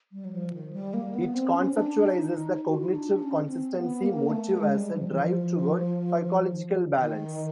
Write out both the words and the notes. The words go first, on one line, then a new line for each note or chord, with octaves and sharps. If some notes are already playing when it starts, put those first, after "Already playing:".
It conceptualizes the cognitive consistency motive as a drive toward psychological balance.
G3
F#3
F3
D#3
G3
A#3
B3
C4
C#4
D4
D4
D#4
F#4
F4
E4
D#4
D4
C#4
C4
B3
A#3
A3
G#3
G3
F3
E3
F3
D#3